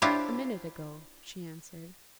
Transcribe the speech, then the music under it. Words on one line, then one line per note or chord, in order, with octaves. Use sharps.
"A minute ago," she answered.
D4 E4 F4 G4 C5 C#5